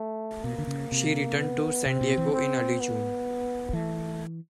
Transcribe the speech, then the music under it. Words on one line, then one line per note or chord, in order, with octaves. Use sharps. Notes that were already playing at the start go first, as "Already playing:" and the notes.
She returned to San Diego in early June.
Already playing: A3
B2 A#3
D3
C#3
C3
B3
C3 C4
B2
E3
C4
B3
E3 A3